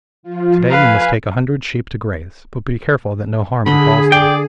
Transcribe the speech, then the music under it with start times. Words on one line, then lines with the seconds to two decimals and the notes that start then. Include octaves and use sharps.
To-day you must take a hundred sheep to graze; but be careful that no harm befalls them.'
0.23 F3 F4
0.70 B4 F5 G#5
3.66 D3 G#4 D#5 B5
4.12 D5 G5